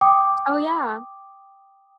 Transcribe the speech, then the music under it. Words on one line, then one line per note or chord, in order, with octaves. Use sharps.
Oh, yeah.
G5 D6 D#6